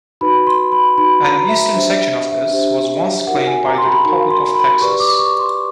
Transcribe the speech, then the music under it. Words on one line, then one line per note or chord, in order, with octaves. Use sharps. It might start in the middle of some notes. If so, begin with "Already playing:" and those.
An eastern section of this was once claimed by the Republic of Texas.
D#4 F#4 B4 B5
C6
B5
D#4 F#4 B4 B5
A#5
E5
D4 G4 C5 E5
E5
D4 G4 C5
D#4 F#4 A#4 F#5
G#5
A#5
C6
B5
D#4 F#4 A#4
C6
B5
G4 B4 D5 C#6
D6
C#6
C6